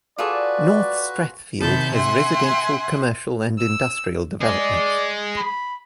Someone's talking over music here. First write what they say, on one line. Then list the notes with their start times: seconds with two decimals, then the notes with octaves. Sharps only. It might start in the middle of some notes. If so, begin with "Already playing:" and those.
North Strathfield has residential, commercial and industrial developments.
0.18 F4 F#4 G#4 A4 B4 D5
1.60 C3 D#3 A5 B5 G6
1.93 E5 F#5 G#5 C6
3.58 E6
4.41 G#4 D5 D#5
5.37 B5